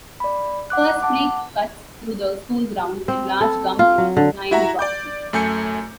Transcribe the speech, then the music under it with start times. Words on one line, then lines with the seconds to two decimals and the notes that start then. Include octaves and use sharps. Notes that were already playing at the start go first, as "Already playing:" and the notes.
First Creek cuts through the school grounds and large gum trees line the property.
0.20 D5 B5
0.70 F#5 D6 F#6
1.03 F#5 A5 D6
3.08 C4
3.41 A4
3.79 F4
3.98 F#3
4.17 D3
4.51 E4 F#4 E5 F#5 A#5
4.79 D5 D6 G6
5.33 F#2 A3 G#5 G6 C#7